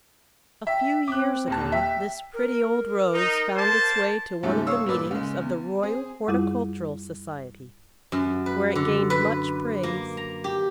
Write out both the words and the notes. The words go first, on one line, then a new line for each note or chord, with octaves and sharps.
A few years ago this pretty old Rose found its way to one of the meetings of the Royal Horticultural Society, where it gained much praise.
E5 G5
C4 D6 F#6
D#1 D#2 A5
E5 G5
A#4
D#4
A#3 C5 A5
D#2 G#2 C#3 F3 G3 A3
A4 C#5 F5 C#6 D#6 E6
G2 A#2 A#4 B4 D5 E6
C#3 G#3
E2
C4 G#4
F#2 G3 E4 F4 G#4
F#2
B4
D3
B4
A#3
A#5
G4